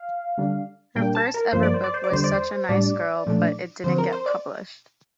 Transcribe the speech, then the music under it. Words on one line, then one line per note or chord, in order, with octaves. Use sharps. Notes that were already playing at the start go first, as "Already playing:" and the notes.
Her first ever book was "Such a Nice Girl", but it didn't get published.
Already playing: F5
D3 G3 D4
A#2 G3 A#3 D4 G5
A5
A#4
G2 F3 A#3 C5
D5
C5
D5
C5
D5
E2 D3 G3 C5
D5
C5
A2 G3 D4 D5
A#2 F3 A3 D4
D3 F3 C4 C5
A#4
C5
D5